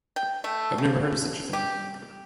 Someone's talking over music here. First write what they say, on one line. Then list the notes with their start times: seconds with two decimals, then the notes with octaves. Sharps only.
I've never heard of such a thing.
0.16 G5
0.44 A3
0.78 C#3
1.53 G4